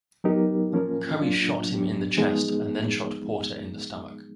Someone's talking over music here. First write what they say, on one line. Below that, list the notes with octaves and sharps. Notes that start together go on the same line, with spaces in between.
Currie shot him in the chest and then shot Porter in the stomach.
F#3 B3 D#4 G4 A#4
F3 A#3 C#4 F4 A#4
F#3 A#3 D4 F4
F#3 B3 D4 G4
F3 G#3 B3 D#4 G#4